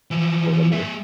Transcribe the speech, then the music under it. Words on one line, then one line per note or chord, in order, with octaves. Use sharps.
phone number.
E3 F3
G#3 E5